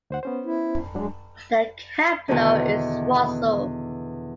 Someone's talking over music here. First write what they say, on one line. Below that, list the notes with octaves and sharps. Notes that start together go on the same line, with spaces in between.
The capital is Roseau.
D2 C5 F#5
B3 C#4 C5
E4
F#3 G#3 D4
E2 B2 D3 D#3